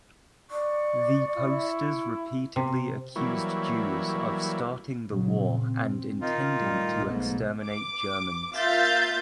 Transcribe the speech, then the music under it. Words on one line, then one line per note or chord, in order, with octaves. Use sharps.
The posters repeatedly accused Jews of starting the war and intending to exterminate Germans.
D5 C#6
E4
C3
E3 F#3 G3 A#3 E4 C#5
A#2 C#3 F#3
C4
D#3 D#4 F4
A2 G3
B1 G#2 A3 B3
D6
A#3 F4 E5 F5 G6 A6